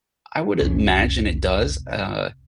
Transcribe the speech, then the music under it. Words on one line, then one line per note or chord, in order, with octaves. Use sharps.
I would imagine it does, uh,
F1 C2 C#4